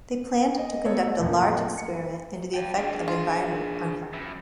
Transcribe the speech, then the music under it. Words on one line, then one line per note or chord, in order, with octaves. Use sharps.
They planned to conduct a large experiment into the effect of environment on health.
D#5
A3 B3 A4 C#5 D#5
F#2 A#2 F3
C#7
G5 A5
D4 G#4
F4
F#2 E4